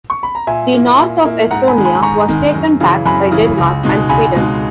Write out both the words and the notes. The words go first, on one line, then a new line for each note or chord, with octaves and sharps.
The north of Estonia was taken back by Denmark and Sweden.
C#6
B5
A#5
A#2 E5 G#5
A#3 E4
A#2
A#3 E4
G#2 F#5 A#5
G#5 B5
D#3 G#3
G#5 B5
G#2 A#5 C#6
D#3 G#3
F#2
C#3 E3
F#2 G#5 B5
C#3 E3
C#2
B2 G#3 D#4
C#2 G#5 B5
B2 G#3 D#4